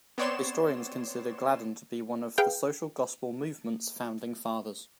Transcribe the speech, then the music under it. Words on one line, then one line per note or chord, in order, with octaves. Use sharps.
Historians consider Gladden to be one of the Social Gospel Movement's founding fathers.
B3 C4 C#5 D5 C6 E7
G#4 B4 F5 G5